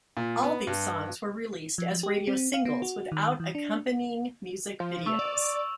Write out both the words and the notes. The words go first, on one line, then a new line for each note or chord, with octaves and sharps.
All these songs were released as radio singles without accompanying music videos.
A#2
B3
G2
F3
G4
C4
F5
B3
F#4
D#3
E3
D4
F3
A3 C#6 E6 F7
D5